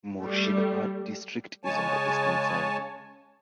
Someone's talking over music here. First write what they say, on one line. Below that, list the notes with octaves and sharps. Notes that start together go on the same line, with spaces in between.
Murshidabad district is on the eastern side.
G3 A3
C#3 G#3 C#5 G#5 A5